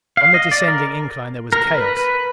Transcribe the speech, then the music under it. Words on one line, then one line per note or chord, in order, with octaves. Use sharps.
On the descending incline there was chaos.
F5
D#5
D5
A#4
A#4
B4
B4